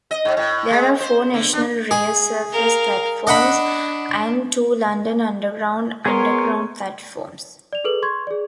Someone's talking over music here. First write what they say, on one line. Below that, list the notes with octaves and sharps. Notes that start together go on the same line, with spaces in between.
There are four National Rail surface platforms and two London Underground underground platforms.
D#5
G#2
A2
G#3
C5
D3
D4
G#4
A#4 F5
D4 D#5 F#5 B5
B3 G#4 A#4 C#5 C6
D5 F7
G#4 A4 B4 F#7
C6 C#6 G#6
G#4 D5